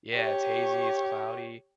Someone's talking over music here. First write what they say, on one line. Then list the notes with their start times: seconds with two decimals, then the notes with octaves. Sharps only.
Yeah, it's hazy, it's cloudy.
0.15 G4 C#5